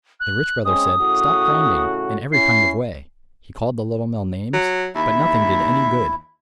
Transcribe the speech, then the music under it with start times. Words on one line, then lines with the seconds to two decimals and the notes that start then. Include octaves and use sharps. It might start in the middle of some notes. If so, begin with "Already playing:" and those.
The Rich Brother said, "Stop grinding," in every kind of way; he called the Little Mill names; but nothing did any good.
0.20 F#6
0.64 G#3 C4 C#4 D#6
1.00 A2 C#3 F#4
2.32 C#4 E4 C7
4.53 F#3
4.95 D#2 E4 E5